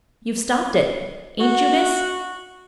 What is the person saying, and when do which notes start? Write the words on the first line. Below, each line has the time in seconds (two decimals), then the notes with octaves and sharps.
"You've stopped it--ain't you, miss?"
1.40 F#4